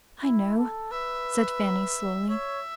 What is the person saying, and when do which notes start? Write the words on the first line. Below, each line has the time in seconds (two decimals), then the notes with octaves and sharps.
"I know," said Fanny slowly.
0.22 E4
0.58 A4
0.91 B4 E5
2.29 C#5 E5